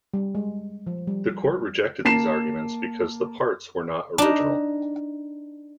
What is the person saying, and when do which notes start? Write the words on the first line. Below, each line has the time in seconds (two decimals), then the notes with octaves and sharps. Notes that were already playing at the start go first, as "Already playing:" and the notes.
The court rejected these arguments because the parts were not original.
0.14 G3
0.35 G#3
0.87 F3
1.07 G3
2.05 A#3 A5 C7 E7
4.18 D4 D#4